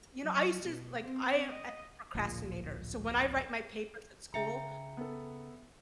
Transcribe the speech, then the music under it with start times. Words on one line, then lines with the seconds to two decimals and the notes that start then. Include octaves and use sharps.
You know, I used to like, I am I am a procrastinator, so when I write my papers at school,
0.23 F#3
0.63 B2
1.01 C4
1.48 D#5
2.15 D1 A#1 A#2
4.34 C#3 E5 G5 A#5 C#7
4.97 B3 A4